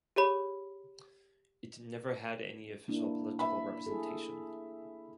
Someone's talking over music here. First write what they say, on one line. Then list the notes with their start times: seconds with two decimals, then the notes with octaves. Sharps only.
It never had any official political representation.
0.16 G4 G#4 C#5 B5
2.88 A#3 D4 E4
3.39 E5 B5
3.86 E4 G#4 A4